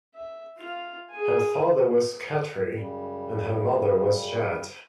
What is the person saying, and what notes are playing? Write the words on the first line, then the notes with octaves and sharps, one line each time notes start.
Her father was Khatri, and her mother was Jatt.
E5
F4 F5
G#4 G#5
F#2 C#3 G3